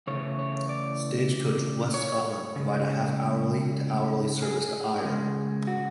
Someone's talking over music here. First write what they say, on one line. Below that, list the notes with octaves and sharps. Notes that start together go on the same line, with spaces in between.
Stagecoach West Scotland provide a half-hourly to hourly service to Ayr.
C#3 E3 A3 C#5
C#5
D5
C#5
C#3 G#3
G#4
C#3 G#3
F#4